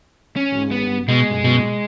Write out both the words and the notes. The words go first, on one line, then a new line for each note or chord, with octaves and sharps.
Mm, mhm.
C#4
B3
B2 G#3
B2